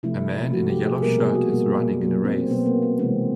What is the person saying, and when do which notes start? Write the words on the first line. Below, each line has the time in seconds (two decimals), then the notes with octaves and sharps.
A man in a yellow shirt is running in a race.
0.03 C3 F3 A3 E4
0.53 C3 F3 A3 F#4
0.70 G4
0.86 G#4
1.03 B2 G3 A#3 A#4
1.19 G#4
1.35 F#4
1.51 B2 G3 A#3
2.01 B2 F#3 A#3
2.25 C4
2.39 C4
2.50 B2 F#3 A#3 B3
2.66 A#3
2.82 B3
2.99 C3 E3 G#3 C4